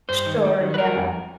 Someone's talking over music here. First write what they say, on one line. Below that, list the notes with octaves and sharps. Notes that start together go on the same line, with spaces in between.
Sure, yeah.
G2 C5
D#3
G3
D#3
B4
G3 A#4
F2